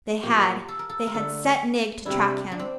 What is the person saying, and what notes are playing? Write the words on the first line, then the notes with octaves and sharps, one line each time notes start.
They had--they had set Nig to track him.
A#2 F3 A#3 G4
A4
A#4
A4
A#4
D3 A3 D4 A4
C3 G3 D4 E4
D4
C4